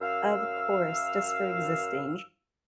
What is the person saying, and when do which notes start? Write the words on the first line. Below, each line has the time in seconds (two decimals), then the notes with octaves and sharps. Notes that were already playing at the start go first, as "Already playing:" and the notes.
Of course, just for existing.
0.01 F#2 F5 E6